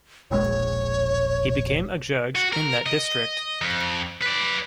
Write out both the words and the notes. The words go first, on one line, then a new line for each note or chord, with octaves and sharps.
He became a judge in that district.
E1 A#1 G#3 C#5
F#4
A#4
D#5
F2
B4 D5